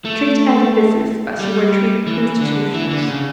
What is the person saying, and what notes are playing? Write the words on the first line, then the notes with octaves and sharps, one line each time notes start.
Treat edifices as you would treat institutions.
A3
G3
E3
D3
E3
D3
C#3